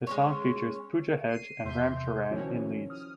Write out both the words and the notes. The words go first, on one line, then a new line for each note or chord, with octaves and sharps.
The song features Pooja Hegde and Ram Charan in leads.
G#3 C#4 C#5
C7 D#7
E2 C3 E5 C6 G6
D#3 F3 C#4 E4 F#4 C#5
D#6 F6